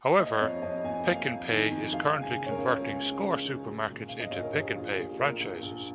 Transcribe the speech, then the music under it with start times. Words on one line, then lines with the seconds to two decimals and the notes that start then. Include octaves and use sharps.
However, Pick n Pay is currently converting Score supermarkets into Pick n Pay franchises.
0.19 A#3 D#5
0.40 F2 C#5
0.62 F2 D#5
0.84 F2 G#5
1.06 A#3 F5
1.28 F2
1.50 D#3
1.71 F2
1.93 G#3 F5
2.15 C#3
2.22 G#5
2.37 C#3
2.46 C#5
2.51 A#4
2.58 C#2
2.80 G#3
3.02 C#2
3.24 G#3
3.45 C#4
3.66 G#3
3.89 A#2
4.09 A#2 F5
4.20 D#5
4.31 A#1 C#5
4.43 A#4
4.53 A#1 G#4
4.75 A#1 F4
4.97 A#2 G#4
5.19 A#2 A#4
5.40 A#1
5.62 A#1